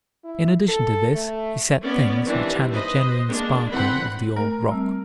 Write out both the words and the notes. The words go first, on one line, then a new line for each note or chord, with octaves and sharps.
In addition to this, he said things which had the genuine sparkle of the old rock.
E4
A4
A3
B3 C#4 D5
D#3 E3 G3 C4 D4
B4 C5 D#5
G#3 A#3 D4
D3 E3 C4 F#5 B5 C6
A3 A#4
G3 C4